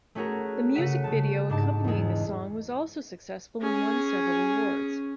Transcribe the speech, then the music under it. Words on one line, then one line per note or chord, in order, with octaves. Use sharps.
The music video accompanying the song was also successful and won several awards.
A3 C#4 F#4 G#4 A#4
C#3 A4 F#5 B6 D#7
C#3 A5
G#2 D4 G4 A5
E2 G#3
C#4 G#4